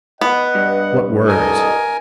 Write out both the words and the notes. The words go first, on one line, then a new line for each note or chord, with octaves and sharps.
"What words?"
B3 D#5 F#5
G2
C2 A4 A#4 D#5 G#5